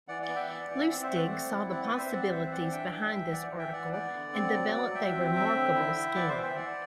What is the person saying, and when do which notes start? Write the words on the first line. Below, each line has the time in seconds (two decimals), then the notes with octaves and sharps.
Lustig saw the possibilities behind this article and developed a remarkable scheme.
0.08 E3 D5 F#5
0.22 D5 F#5
0.28 B3
0.35 E5 G5
0.49 E3 D5 F#5
0.69 E3 D5
0.80 E5
0.89 C4 D5 F#5
1.02 C5 E5
1.10 A3
1.16 D5 F#5
1.30 C4
1.51 E4
1.70 C4 D5 F#5
1.84 B4 D5
1.91 C4
1.98 C5 E5
2.11 C4 D5 F#5
2.31 C4 C5 E5
2.52 E3 D5 F#5
2.71 D4 E5 G5
2.92 E3 E5 G5
3.12 E3
3.32 E3 D5 F#5
3.53 E3
3.59 E5 G5
3.72 E3 D5 F#5
3.93 B3 D5 F#5
4.13 D3
4.33 C4
4.54 F#3
4.74 F#3
4.94 F#3 E5 G5
5.15 C4
5.35 C4
5.55 D3
5.75 E4
5.96 E4
6.15 B3 D5 F#5
6.29 C5 E5
6.36 E3
6.43 E5 G5
6.56 E3 D5 F#5